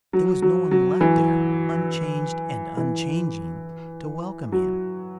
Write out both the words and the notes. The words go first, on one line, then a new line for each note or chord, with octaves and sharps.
There was no one left there, unchanged and unchanging, to welcome him.
F#3
F#3
F#3
E3
E3
F#3